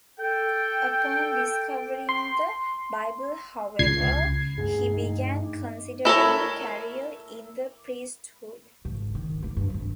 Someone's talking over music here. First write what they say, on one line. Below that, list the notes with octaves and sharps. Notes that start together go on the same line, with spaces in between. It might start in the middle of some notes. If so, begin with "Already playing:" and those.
Upon discovering the Bible however, he began considering a career in the priesthood.
A4 G5
C6
C#2 G#6 C7
G2 A3 G#4
D#4
E4 A4 A#4 C#5
G#1 C#3
D#3
A#3 E4
G2
D#3 C4